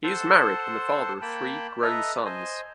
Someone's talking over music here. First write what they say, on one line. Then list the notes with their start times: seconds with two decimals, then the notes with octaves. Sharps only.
He is married and the father of three grown sons.
0.04 A4 C5 F#5 A5 C6
1.22 A#3 G5 A5 B5
1.82 A4 B4 D#5 E5 A#5
2.25 C5 D#5 G#5